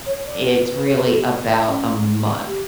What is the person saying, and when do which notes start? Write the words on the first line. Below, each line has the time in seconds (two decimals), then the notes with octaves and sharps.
it's really about a month.
0.05 C#5
0.26 D5
0.46 B4
0.66 B4
0.85 C#5
0.96 B4
1.05 A4
1.16 G4
1.26 F#4
1.66 C#4
2.46 G4